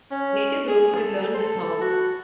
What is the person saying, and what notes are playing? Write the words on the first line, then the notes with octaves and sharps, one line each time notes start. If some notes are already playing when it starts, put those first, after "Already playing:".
Native groups have learned the song.
C#4
G#4
A4
C5
A4
F#4